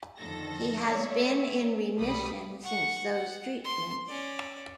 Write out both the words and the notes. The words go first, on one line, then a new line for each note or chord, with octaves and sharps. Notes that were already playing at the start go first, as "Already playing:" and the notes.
He has been in remission since those treatments.
F2 D3 D#3 A4 A#6
G#3 B3 C#5 D5 E5
C2 B2 G3 A3 B5 D#6
F#5 C#6
F#5
C6
C#4 D5